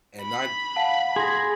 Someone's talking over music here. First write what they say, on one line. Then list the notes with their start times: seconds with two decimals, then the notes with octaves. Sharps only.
And ni
0.21 B5
0.76 F5 F#5 A5
1.16 G#4 C6 A#6